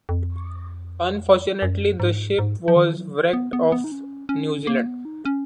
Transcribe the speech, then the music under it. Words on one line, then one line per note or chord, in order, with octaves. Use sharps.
Unfortunately the ship was wrecked off New Zealand.
F2
F#2
G#2
G#2
F3
D#3
F#3
B3
B3
B3
D#4
C#4
C#4
A#3
B3
D#4
C#4